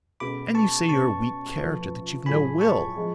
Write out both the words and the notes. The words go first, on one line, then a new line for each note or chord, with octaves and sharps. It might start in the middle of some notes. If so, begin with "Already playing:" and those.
"And you say you're a weak character, that you've no will."
B2 G#3 C#4 F#4 A4 B5 D6
A5 C#6
B2 A3 C#4 A5 C#6
F3 A3 F4 B4
A2 F#3 A3 F4 G#4 G#5 B5
A5 C#6
F3 G#3